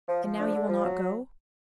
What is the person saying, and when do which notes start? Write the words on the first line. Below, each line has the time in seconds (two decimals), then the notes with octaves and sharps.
"And now you will not go?"
0.08 F3
0.24 F3
0.38 D4
0.54 D3
0.68 F3
0.83 F#3